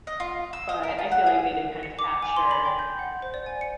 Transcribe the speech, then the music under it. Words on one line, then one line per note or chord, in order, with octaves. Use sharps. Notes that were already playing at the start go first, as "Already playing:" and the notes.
but I feel like they did kind of capture
D#5
F4
E6
D#5
A#4
F4
F#5
G#4
C#7
D6
G#5
C6
B5
G5
G6
F#5
C5
D5
G#5
C#7